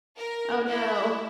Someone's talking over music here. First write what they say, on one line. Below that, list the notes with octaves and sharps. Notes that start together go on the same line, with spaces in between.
Oh, no.
A#4
E4